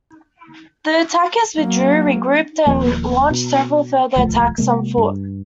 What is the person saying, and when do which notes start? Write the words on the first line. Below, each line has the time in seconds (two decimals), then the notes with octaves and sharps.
The attackers withdrew, regrouped, and launched several further attacks on foot.
1.58 F#3 A#3
2.67 D#1 D#2 F3 A#3
3.31 B2
4.16 D1 C2 F3 A3
4.58 C3 F#3 G#3 A#3
4.98 G2